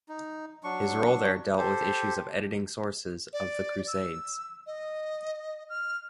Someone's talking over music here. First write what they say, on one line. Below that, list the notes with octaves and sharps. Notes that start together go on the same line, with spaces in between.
His role there dealt with issues of editing sources of the Crusades.
D#4
F#3 D4 C#6
G4 A4 C5
D5
E6
D#5
F6